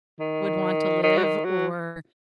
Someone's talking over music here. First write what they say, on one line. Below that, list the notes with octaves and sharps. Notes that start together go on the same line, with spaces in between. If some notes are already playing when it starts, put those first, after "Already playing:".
would want to live or,
D#3
D#3
F#3
D#3
F#3